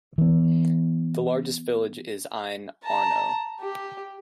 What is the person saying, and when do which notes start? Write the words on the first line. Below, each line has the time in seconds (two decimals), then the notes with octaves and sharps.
The largest village is Ine, Arno.
0.18 E3 B3
2.84 A5 A#5
3.60 G4